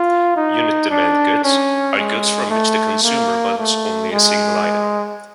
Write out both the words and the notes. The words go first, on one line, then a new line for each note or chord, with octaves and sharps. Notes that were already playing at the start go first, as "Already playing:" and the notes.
"Unit-demand goods" are goods from which the consumer wants only a single item.
Already playing: F4
D#4
D4
C#4
G#3
A3
A#3
A3
G#3